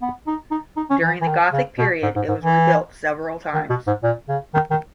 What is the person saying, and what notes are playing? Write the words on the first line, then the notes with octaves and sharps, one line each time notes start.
During the Gothic period it was rebuilt several times.
B3
D#4
D#4
D#4
C#4
E3
E3
D#3
C#3
B2
G#2
G#2
G#2
E3
D#3
B2
G#2
A#2
C#3
D#3
D#3